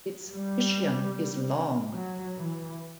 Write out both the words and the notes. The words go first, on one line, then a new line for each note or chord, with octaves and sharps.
Its ischium is long.
G3
F#3
E3